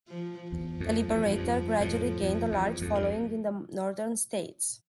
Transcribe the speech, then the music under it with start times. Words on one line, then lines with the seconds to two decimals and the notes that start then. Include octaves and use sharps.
"The Liberator" gradually gained a large following in the northern states.
0.08 F3
0.51 E2 F3
0.80 F2
1.10 E2
1.26 G2
1.38 F2
1.80 F2 A2
2.23 F2
2.52 E2
2.82 F2
2.95 G2
3.02 F2